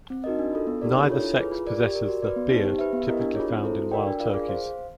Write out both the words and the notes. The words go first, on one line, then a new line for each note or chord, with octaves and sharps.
Neither sex possesses the "beard" typically found in wild turkeys.
C4
D#4 F#4 A#4 D#5
D4
F4 A4
B3
D#4 G4 A#4 D5
D4
F4 A4 C#5
E4
G#4 B4
F4
A#4 D5
G4
A#4 D5
F#4
B4 D5
B3
D#4 G4 C5
G4
B4 E5
B3
E4 G4 A#4 D#5
D4
F4 G#4 C#5
C4
E4 A4 C5
F#4
A#4 D5 G5
D4
F4 A#4 D5 F5
G#4
C5 F5